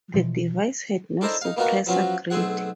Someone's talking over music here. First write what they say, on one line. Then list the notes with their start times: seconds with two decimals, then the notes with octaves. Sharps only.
The device had no suppressor grid.
0.14 B2 E3 F3
1.21 D4 E4 A4 A#4 C5 D#5
1.41 D#4 F5
1.56 A#3 B3 D#4 F4 F#4 A#4
1.87 F3 F#3 B3 C#4 F4 F#4
2.30 B1 A3 C4 G#4 F#5